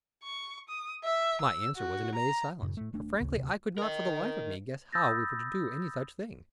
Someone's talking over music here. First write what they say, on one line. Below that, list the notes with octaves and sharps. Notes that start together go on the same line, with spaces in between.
My answer was an amazed silence, for frankly I could not for the life of me guess how we were to do any such thing.
C#6
D#6
E5
E6
F#4
A#5
F#2 A2 C#3
A2 A3
D#1 A3 D4
A1 D2 C#3
D2 C3
A#4 D#5
B5 D#6 E6 G6 A6 A#6